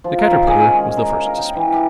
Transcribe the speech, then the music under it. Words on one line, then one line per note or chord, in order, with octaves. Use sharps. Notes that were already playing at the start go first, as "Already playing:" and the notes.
The Caterpillar was the first to speak.
F3
A#4
D#3
G#4
C#4
G#3
A#4
F5
A#4
G5
E3
G4